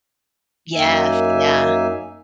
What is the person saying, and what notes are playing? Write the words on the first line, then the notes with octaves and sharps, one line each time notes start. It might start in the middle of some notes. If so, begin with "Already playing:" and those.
Yes, yeah.
F#2 A#3 D#4 E5 G#5